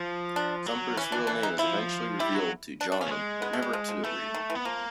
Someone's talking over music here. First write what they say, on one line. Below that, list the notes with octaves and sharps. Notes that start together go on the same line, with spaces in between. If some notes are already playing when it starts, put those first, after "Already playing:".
Thumper's real name is eventually revealed to Johnny, but never to the reader.
Already playing: F3
D4
F#3
E3 C#4
D4
D4
D#4
F3 E4
G3 E4
F#3
D4
D4
C#4
A3
G#3
B3
A3
G3
F3
F3
E3 A3
D#3
E3
B3
F3 A#3